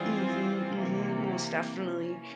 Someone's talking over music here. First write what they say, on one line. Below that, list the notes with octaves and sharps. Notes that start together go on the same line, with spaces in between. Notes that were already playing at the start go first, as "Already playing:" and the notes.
Mhm, mhm, most definitely,
Already playing: E3 G3 C4 F4 G#4
C3 E3 A#3
E3 A#3 C#4